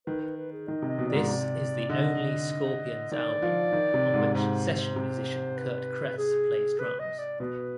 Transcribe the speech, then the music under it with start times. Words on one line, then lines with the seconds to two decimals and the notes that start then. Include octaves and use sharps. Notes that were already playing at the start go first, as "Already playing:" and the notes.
This is the only Scorpions album on which session musician Curt Cress plays drums.
0.07 D#3 B4
0.22 B4
0.37 B4
0.53 G#4
0.68 D#3 D#5
0.82 C3
0.89 D#5
0.99 B2
1.08 G#2 D5
1.28 C3
1.89 D3 D#5
3.12 D#3 D5
3.42 F3
3.73 D#3
3.94 C3
4.14 G#2
4.35 G#2 C5
4.96 C3
5.57 B4
6.18 G#4
6.79 B4
7.00 D#5
7.19 D5
7.40 B2 B4